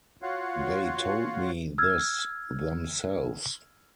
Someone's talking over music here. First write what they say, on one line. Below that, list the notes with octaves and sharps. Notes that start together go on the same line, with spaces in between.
They told me this themselves.
F4 F#4 C#5 F5 F#5
E6 F6 G#6